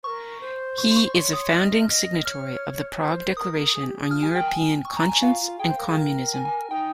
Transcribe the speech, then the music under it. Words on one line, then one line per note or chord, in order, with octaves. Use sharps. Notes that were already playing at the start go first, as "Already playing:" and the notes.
He is a founding signatory of the Prague Declaration on European Conscience and Communism.
A#4 C5 C#6
C5
C#6
C6
C#6
C#5 D#5 C#6
D#6
D#5 F6
D#5
C#5 F6
C#5
C5
A#4 D#6
G#4
G4
G#4
F4 F6
G4 G#5
G#4
A#4 G5
G#5
C#6
A#5
G#5
F4 F5
F4
G#4 G5
C5
A#4
G#4
A#4
G#5
G#5
D#4 G5